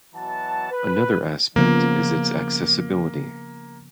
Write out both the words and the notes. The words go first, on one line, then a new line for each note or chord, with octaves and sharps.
Another aspect is its accessibility.
B2 E3 F#3 F#5 A5
B4
C#3 F3 A#3 B3